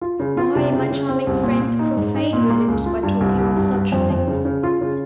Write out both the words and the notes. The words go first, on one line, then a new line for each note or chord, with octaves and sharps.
Why, my charming friend, profane your lips by talking of such things?
F4
C#3
F4
C3
C#3
C#3
C4
C2
A#2
A#2
D#4
G#2
D#4
A#2
A#3
C#2
F4
G2
C2
C2
G2
G2
F2
F2
C#3
C#3
F4
C#3